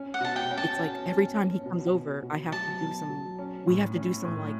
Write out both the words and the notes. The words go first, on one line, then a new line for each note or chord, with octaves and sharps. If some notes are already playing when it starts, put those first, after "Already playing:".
it's, like, every time he comes over, I have to do some we have to do some, like,
Already playing: C#4
F#5
B2 A5
G5
C#4
A5
C#4
C#4
C#4
B2
B2
B2
F#3 A5
B2
F#3
C#4
A2
C#4
A2